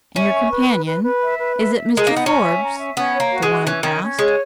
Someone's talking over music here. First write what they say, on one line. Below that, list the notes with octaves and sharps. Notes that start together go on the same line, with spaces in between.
"And your companion--is it Mr. Forbes?" the woman asked.
C#4 E5
C#6
B4
B4
B4
B4
E5
B4
E5
E5
A#4
G#3
A#3 D#4
B3
C#4 A#5
E5
A#5
E5
B3 C#4
C#5
A#3
F#4
G#3
F#4
E3 C#4
D#3 C#4
C#4
G#3 C#5